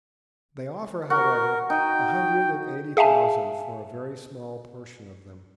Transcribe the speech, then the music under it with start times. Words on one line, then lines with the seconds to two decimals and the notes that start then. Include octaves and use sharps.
They offer, however, a hundred and eighty thousand for a very small portion of them.
1.10 F#4 A#4
1.70 D#4 G5
2.97 G#4 E5 F5 G#5 A5